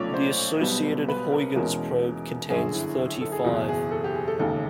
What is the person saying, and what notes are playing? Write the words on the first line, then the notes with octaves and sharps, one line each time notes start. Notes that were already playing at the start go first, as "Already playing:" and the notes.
The associated Huygens probe contains thirty-five.
Already playing: B1 A#2 F3 A3 C#4 C#5 D5
C5
B1 B2 G3 B3
B4
A#4
E2 B2 G#3 C#4 A#4
G1 F#2 D3 G#4
E4
E4
A4
G#4
F#1 E2 B2 G#4
G#4
A4
G4
G#4
A4
E1 D#2 C#3 A4